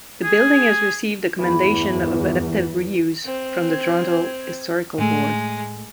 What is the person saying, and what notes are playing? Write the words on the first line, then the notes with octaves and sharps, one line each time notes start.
The building has received a Commendation of Adaptive Re-use from the Toronto Historical Board.
G#4
E2 G2 E3
C4
G5 G#6
A2 G#3 A3